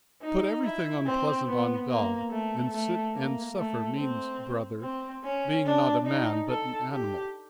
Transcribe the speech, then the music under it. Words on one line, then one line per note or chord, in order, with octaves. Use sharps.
To put everything unpleasant on God, and sit and suffer, means, brother, being not a man but an animal.
D#4
E4
C4
B3
A#3
A3
A3
A#3
A3
C4
C4
C#4
D4
D#4
A4
G4